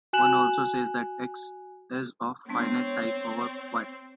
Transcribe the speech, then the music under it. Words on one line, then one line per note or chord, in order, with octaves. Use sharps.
One also says that "X" is of finite type over "Y".
F#4 G#5 F#6 E7 F#7
G#3 B3 C4 D4 C#5